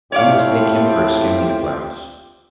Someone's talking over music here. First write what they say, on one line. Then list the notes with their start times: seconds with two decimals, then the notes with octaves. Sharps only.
I must take him for a skim in the clouds.
0.12 A2 C4 F4 G4 C#5 D5 F5